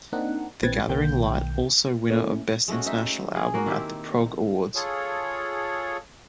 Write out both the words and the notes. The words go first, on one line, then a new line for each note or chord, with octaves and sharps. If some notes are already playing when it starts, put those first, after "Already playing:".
The Gathering Light also Winner of Best International Album at the Prog Awards.
A#3 C4 D4 D#4 F#5
A#1 E3 C4 B4 G#6 A6
B1 D#3 A#3 G5 G6
A3 A#3 C#4 E4
G#3 A3 C#4 F#4
D#4 E5
G#4
A#3 F#4 A#4
D#3 C4 E4 G4
F4 G#4 A4 C#5